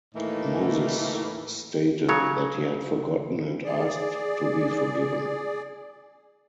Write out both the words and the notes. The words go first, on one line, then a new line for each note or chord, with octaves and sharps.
Moses stated that he had forgotten and asked to be forgiven.
D#2 A2 E3 A3 A#3 D#4
C#3 F#3 C#5
G#4 D5